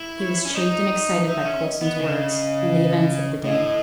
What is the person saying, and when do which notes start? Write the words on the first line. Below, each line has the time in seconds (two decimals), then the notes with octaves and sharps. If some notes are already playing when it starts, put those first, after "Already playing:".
He was chafed and excited by Coulson's words, and the events of the day.
Already playing: E4
0.19 C#5
0.45 C#4
0.55 D#4 D#5
1.27 D#4 E5
1.46 C#4
1.63 D#5
1.81 B3
2.00 C#3
3.44 A2 D#5